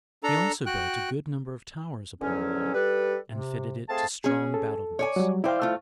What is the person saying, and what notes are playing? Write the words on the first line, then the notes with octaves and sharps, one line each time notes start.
He also built a good number of towers upon the wall, and fitted it to strong battlements.
D4 A4 A#5
F#4 G5 F#6
E2 D3 F3 F#3 C#4
G3 A4 B4
C3
A3 C4 G#4 F5 A5
C#4 G#4
A4
C#5 D5 G#5
F#3 G3
E4 C5 D5 F5 G5
A3 F4